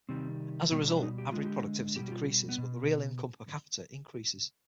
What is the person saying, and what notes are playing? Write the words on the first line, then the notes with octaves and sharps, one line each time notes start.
As a result, average productivity decreases but the real income per capita increases.
C3 D#3 G3 C4
B2 G3 B3
D4
D4
D#4
G4
D3 G#3 F4
G4
B2 G3 G4
G4
F4
B3
B2